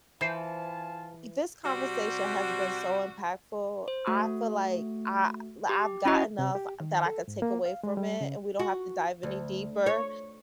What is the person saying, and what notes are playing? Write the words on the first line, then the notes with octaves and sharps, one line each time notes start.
this conversation has been so impactful, I feel like I l I've got enough that I could take away from it and we don't have to dive any deeper,
E3 F4 C5 G#5 A5
C3 G3 F#4
C5
A3 F#4
G4
C#4 E4 F#4 D#5
C3
G4
D#3
A4
G#2
A#3
F5
G#3
G3
C#3
F#4
D2
C#5